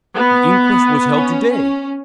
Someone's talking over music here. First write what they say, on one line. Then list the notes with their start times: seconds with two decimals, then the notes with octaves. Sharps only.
The inquest was held to-day.
0.12 B3
1.15 C#4
1.51 C#4